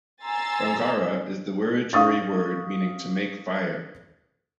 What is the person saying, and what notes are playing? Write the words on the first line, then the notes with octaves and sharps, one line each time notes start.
Bangarra is the Wiradjuri word meaning "to make fire".
G#5 A#5 C6 E6 A6
F5 C#6 D#6 A6